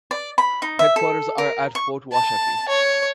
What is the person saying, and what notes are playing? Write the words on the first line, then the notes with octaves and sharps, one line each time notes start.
Headquarters are at Fort Washakie.
D5
B5
D#4
E5
A4
A#4
C#6
A5
C#5